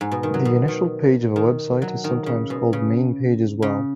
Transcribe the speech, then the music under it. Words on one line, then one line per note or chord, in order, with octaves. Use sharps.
The initial page of a website is sometimes called main page as well.
G#2
B2
D#3
F#3
B2
D#3
D#3
F#3
D#3
C#3
B2
C#3
C#3